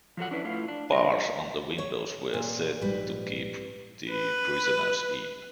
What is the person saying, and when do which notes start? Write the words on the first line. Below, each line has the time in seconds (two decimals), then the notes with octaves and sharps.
Bars on the windows were set to keep the prisoners in.
0.17 F3 F#3 A4 F#5
0.31 C#4 D4 E4 B4
0.45 A3 E4 F4 F5
0.68 D4
0.90 D3 A#5
1.78 C#5
2.33 A#2
2.81 A#1 G#2 G3 B4
4.11 B4